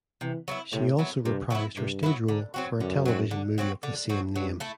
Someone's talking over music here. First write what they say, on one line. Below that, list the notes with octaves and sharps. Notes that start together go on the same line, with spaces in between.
She also reprised her stage role for a television movie of the same name.
C3 E3
F#3 B3 E4
A2 C3
F#3 B3 E4
G2 C3
F#3 B3 E4
G2 C3
F#3 B3 E4
D3
F#3 C4 F#4
F#2 D3
F#3 C4 F#4
D3
F#3 C4 F#4
D3
F#3 C4 F#4
G2 F#3
A3 E4